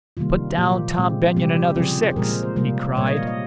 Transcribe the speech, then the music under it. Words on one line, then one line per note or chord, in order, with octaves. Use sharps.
"Put down Tom Benyon another six!" he cried.
C3 D#3 G3 A#3 F4
A#2 F3 A#3 G4
A#2 G#3 C4
C3 G3 C4 G4
C#3 F3 C4 G#4
G#4
A#2 F3 G#3 A#4
C5
C5
C3 G3 A#3 C5
A#2 G3 A#3 C#5
D#5
F5
D#5